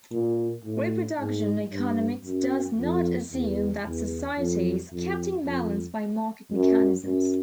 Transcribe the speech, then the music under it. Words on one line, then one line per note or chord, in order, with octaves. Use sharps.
Reproduction economics does not assume that society is kept in balance by market mechanisms.
A#2
A2
G#2
G2
F#2
F2
E2
E2
F2
F2
F2
F#2
F#2